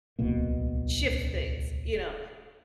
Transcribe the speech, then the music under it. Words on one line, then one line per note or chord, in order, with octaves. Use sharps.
shift things, you know,
D1 C2 B2 A#3